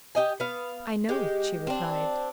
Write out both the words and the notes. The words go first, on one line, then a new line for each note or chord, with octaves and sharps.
"I know it," she replied.
G4 D#5 G#5
B3 F5
G#3 G4
C4 D4